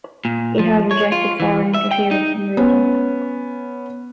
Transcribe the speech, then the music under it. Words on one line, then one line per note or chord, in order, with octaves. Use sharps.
It has rejected foreign interference in the region.
A#2
F3
C#5
F4
E3
E5
G5
D#4
B3 C#4